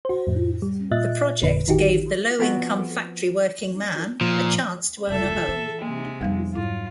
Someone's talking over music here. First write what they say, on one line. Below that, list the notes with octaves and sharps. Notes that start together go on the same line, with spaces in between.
The project gave the low-income factory working man a chance to own a home.
F#4 C5
F2 A2
G3
A#2 F4 D#5 E5 F#6 A6
G1 F2 A#2 D3 B4
A1 D#3 D#4 F#4 G4
F3 B3 C4 F#4
A#2 F3
F1 C#2 A4 E5
E3
C3 G#3 A#3
F2 F3 G3 B3
G#2 F#3 E4 F4